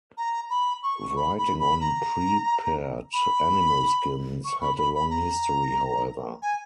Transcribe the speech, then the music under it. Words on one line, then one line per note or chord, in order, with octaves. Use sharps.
Writing on prepared animal skins had a long history, however.
A#5
B5
C#6
B5
B5
B5
A#5
B5
C#6
B5
B5
B5
A#5
G#5